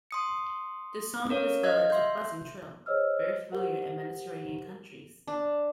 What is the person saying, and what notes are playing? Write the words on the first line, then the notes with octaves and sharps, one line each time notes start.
The song of this bird is a buzzing trill, very familiar in Mediterranean countries.
C6 D#6 C#7
C#4 A#4 C#5 F5
D#5 F5 G#6
E5 C6 G6
G#4 C5 C#5 D#5 E6 F6
G4 A#4 C5 F#5
D4